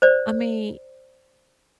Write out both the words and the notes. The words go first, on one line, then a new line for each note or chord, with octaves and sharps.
I mean,
C5 D5